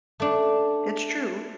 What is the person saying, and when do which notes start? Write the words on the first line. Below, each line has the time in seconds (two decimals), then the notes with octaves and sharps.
It's true.
0.20 A3 D4